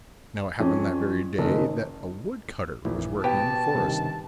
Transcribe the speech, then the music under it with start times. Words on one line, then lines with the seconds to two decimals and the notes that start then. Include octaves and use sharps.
Now it happened that very day that a woodcutter was working in the forest.
0.60 F2 C#4
1.38 F#1 D#3
2.85 A#1 E3
3.24 B2 G4 B4 G5 A5
3.75 G2 C3 D#3